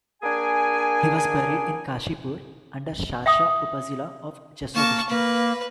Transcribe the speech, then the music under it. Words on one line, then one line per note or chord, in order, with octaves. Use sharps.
He was buried in Kashipur under Sharsha upazila of Jessore district.
A#3 D4 G#4 G5 G#5
E5 G5 D#6
A#3 A5 C#6
A#3 B4